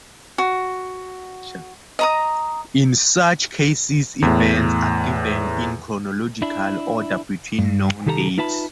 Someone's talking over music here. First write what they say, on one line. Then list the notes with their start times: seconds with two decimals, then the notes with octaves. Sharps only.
In such cases events are given in chronological order between known dates.
0.38 F#4
1.99 D#5 A#5 D#6
4.22 E2 A2
6.42 D4 E4
7.59 G2
8.06 C2 D#3 G4 A4 A#4 A#5
8.38 D#4 F4 B4 E5 A5 B5